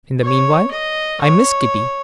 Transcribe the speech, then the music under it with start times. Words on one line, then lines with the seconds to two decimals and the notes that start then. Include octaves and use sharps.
In the meanwhile, I miss Kitty.
0.22 C#5
0.71 D#5
1.20 C#5